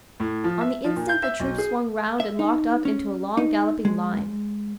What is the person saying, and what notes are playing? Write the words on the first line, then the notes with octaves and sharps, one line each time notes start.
On the instant the troops swung round and locked up into a long, galloping line.
A2
F3
E5
F3
A#2
G6
E5
B1
G#4
E5
D#4
C#4
D#4
G#3